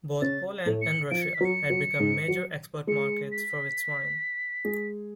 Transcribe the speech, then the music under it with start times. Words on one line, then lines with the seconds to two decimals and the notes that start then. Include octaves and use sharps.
Both Poland and Russia had become major export markets for its wine.
0.22 C#3 C#4 A6
0.66 A2 A3
0.82 C#7
1.10 F3 D7
1.22 C#7
1.34 B6
1.41 F#3
1.45 C#7
1.70 F#3
1.99 G#2 G#3
2.28 F#3 F#4
2.87 G#3 G#4 C#7
3.32 B6
4.65 G#3 G#4